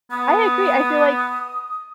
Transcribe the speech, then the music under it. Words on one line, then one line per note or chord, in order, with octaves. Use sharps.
I agree. I feel like
B3 D#6